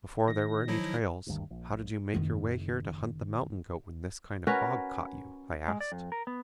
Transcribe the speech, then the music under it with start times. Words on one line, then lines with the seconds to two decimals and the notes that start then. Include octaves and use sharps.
'Before there were any trails, how did you make your way here to hunt the mountain goat when this kind of fog caught you?' I asked.
0.28 D#3 A#6
0.68 F3 F#3 E4
1.26 F#1 D2 G2 D#3
1.51 A#1
2.14 F#1 D#3
4.47 C#4 F#4 A#4 B4
5.68 G#3
5.81 D5
5.92 F2
6.12 A#4
6.27 B3